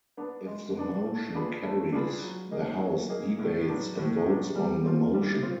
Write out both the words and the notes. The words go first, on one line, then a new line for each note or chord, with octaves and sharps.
If the motion carries, the House debates and votes on the motion.
B3 D4
G#3
B3 D4
A3
D4 F4 G#4 B4
A3
D4 F4 G#4 B4
F#3
A#3 D#4 G#4
F#3
A#3 D#4 G#4
A2
F#3 B3 D4
A2
F#3 B3 D4
G3
C4 F4
G3
C4 F4